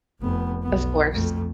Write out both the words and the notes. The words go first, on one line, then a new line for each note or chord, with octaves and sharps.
Of course.
F1 B3
B1 B3
F2 A3